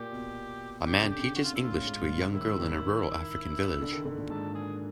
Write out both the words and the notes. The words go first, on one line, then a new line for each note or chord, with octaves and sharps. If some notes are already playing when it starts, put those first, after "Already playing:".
A man teaches English to a young girl in a rural African village.
Already playing: A#2 G4
B2
C#3 G4
D3
G4
C#3
C3 F#4
F4
A#2 E4
A2 F4
G#2
G2
C#3
D#3 E4
D#3
D3
D#3
D3
A#2
G#2 A4
G#4